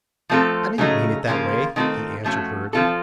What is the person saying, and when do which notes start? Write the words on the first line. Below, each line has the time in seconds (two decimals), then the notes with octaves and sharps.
'I didn't mean it that way,' he answered hurriedly.
0.29 F3 A3 C4 F4 A4
0.78 C#3 F#3 A3 D#4
1.27 C#3 F3 A#3 F4
1.76 D#3 A3 C4 F4 A4
2.24 F3 A3 C#4 F#4
2.73 F3 C4 F4 A4